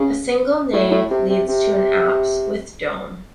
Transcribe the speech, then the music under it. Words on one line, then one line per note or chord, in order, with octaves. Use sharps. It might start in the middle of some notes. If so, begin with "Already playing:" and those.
A single nave leads to an apse with dome.
Already playing: C#3
A2
A2
C3
C3
C3